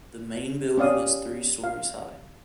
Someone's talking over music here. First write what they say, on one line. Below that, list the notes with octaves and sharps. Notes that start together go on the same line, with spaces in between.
The main building is three stories high.
C#4 G4 D5 F5 D#6
F5